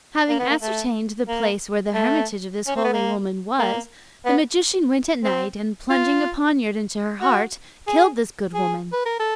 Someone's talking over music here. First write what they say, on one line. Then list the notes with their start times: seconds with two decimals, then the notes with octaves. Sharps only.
Having ascertained the place where the hermitage of this holy woman was, the magician went at night, and, plunging a poniard into her heart, killed this good woman.
0.29 A#3
0.39 B3
0.50 A#3
0.62 A3
1.28 A#3
1.94 A3
2.67 C#4
2.76 C4
2.84 B3
2.93 A#3
3.59 A#3
4.25 B3
5.24 C4
5.90 F4
7.21 F#4
7.87 G#4
8.54 G#4
8.92 B4
9.06 A#4
9.19 A4